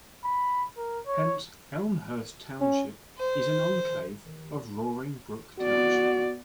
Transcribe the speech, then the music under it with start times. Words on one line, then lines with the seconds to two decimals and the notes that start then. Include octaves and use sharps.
Hence, Elmhurst Township is an enclave of Roaring Brook Township.
0.25 B5
0.77 A#4
1.07 C#5
2.61 C#4
3.18 C5
5.58 B3 F#4 D5